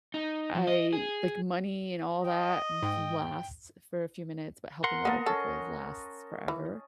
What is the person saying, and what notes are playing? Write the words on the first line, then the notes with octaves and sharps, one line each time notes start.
I like money and all that l lasts for a few minutes, but helping other people lasts forever.
D#4
F3
D#5
G#4
D#5 G5
G#2 G5
A#4 F#5 C6
A#3 B3 D#5 A5
C#4 A4
E3